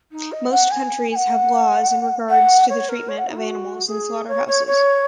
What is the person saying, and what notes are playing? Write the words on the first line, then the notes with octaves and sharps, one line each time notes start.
Most countries have laws in regard to the treatment of animals in slaughterhouses.
D#4
D#5
F#5
G#5
G#5
F#5
F#5
C#5
A#4
C#5
F#5
D#4
F#4
G#4
C#5
C#5
C#5